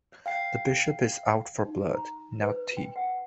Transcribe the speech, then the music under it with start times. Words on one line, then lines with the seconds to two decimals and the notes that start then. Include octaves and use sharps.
The Bishop is out for blood, not tea.
0.26 F5 G5 C7
1.65 D#4
1.94 A#5
2.42 B4
2.77 G5
2.96 F#5